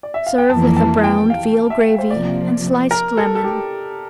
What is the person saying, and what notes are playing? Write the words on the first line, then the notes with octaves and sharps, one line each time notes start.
Serve with a browned veal gravy and sliced lemon.
D5
E5
F5
G5
F2 E3 A#3 A5
A5
G5
F5
E5
C5
C3 F3 A#3 D5
A#4
A4
A4
G4